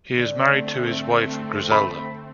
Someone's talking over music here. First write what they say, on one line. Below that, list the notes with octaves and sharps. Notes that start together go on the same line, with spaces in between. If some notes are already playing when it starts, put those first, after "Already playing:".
He is married to his wife Griselda.
D3 A3 C4
B5